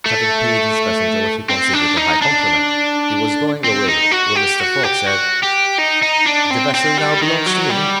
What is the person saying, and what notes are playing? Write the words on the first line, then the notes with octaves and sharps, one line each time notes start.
And, having paid his passenger what he considered a high compliment, he was going away, when Mr. Fogg said, "The vessel now belongs to me?"
A3
C4
D4
D#4
D4
C4
D#4
F#4
G4
F#4
G4
F#4
G4
D#4
D#4
D4
C4
C4
G3
D#3
F#3
G3